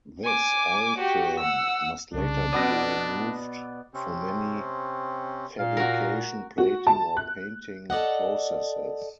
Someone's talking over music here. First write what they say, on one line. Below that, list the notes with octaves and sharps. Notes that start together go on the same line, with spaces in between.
This oil film must later be removed for many fabrication, plating or painting processes.
G#5 D6
F#4 G4
F#5 E6
C2 C#3 D4
B2 B3 D5 D#6 A#6
C3 C4 C#4
A#2 F5
F#4 A#4
F#4
A5
F#6
A4 D5 D#5 F#5